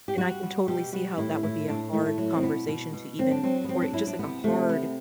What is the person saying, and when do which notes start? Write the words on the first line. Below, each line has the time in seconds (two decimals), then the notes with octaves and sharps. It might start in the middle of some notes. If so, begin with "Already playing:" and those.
And I can totally see how that would be a hard conversation to even or, eh, just like a hard,
0.08 G4
0.18 G3 F#4
0.43 G3
0.67 B2 G4
0.93 G3 F#4
1.18 A2 E4
1.43 A2 E4
1.68 A2 D4
1.93 A2 A3
2.06 A3
2.18 F#3
2.35 C4
2.43 B2 B3
2.68 B2
2.93 B2
3.18 F#3 C4
3.31 D4
3.43 F#3 C4
3.64 B3
3.68 F#3 C4
3.82 D4
3.93 F#3 E4
4.07 D4
4.19 C3 B3
4.44 C3 A3
4.69 C3 B3